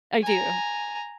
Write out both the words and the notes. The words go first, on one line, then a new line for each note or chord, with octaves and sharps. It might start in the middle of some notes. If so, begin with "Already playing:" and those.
I do.
G#5 A#5